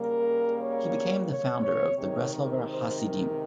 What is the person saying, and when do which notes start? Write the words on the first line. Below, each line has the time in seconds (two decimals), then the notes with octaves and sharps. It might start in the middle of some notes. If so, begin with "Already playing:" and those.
He became the founder of the Breslover Hasidim.
Already playing: C#3 G3 A#3 A#4
0.59 C#5
1.28 C#5
1.63 C#5
1.98 C3 D#3 G#3 C#5
2.32 A#4
2.66 C5
3.02 A#4